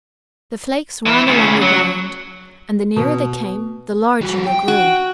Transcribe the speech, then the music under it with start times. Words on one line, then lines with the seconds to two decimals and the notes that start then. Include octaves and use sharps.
The flakes ran along the ground, and the nearer they came the larger they grew.
1.06 E3 E4
1.27 D2 C#3
1.62 F#3
2.96 B2
4.22 G3 F#4
4.47 G5
4.68 F#4